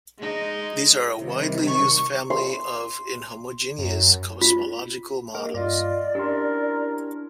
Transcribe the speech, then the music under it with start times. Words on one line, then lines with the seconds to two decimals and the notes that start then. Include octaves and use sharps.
These are a widely used family of inhomogeneous cosmological models.
0.18 G#3 D#4
1.20 C3 D#3 G3
1.67 C#6
2.30 C6
3.78 F#2
4.41 F4
5.35 A#3 A#4 D#5
5.54 G2 F4 D5 D#5 D6
6.15 C#4 D4 E4 G4 A#4 C6